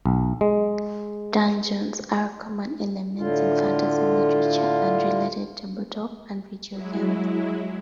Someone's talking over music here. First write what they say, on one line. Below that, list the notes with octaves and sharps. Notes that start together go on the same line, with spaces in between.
Dungeons are common elements in fantasy literature, and related tabletop and video games.
B1
G#3
A2 D3 F4
F#3 G#3 E4